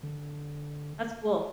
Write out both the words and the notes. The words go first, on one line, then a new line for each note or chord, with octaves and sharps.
That's cool.
D3